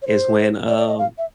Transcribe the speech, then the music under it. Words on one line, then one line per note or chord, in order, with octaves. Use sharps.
is when, um
C#5
C5
D5
D5
D#5
F5
E5